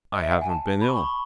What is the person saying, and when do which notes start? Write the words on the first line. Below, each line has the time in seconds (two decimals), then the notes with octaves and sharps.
"I haven't been ill."
0.13 D#5
0.22 E5
0.31 F#5
0.41 G#5
0.49 A5
0.82 B5
0.88 C#6
0.97 B5